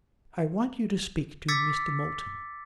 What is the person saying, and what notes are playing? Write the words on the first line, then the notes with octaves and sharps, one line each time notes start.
'I want you to speak to Mr. Moulton....
D6 E6 G#6 A6 B6 C#7